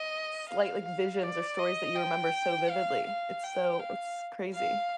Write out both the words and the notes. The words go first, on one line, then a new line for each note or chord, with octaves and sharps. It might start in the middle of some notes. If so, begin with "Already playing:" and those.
slight, like, visions or stories that you remember so vividly. It's so it's crazy.
Already playing: D#5
F5
F5
D5
D#5
G5
F5
F5
G5
F5
F5